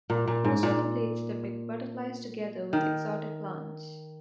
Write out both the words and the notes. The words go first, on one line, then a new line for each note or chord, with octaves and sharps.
Most of the plates depict butterflies together with exotic plants.
A#2
A#2
G#2
A#2
D#3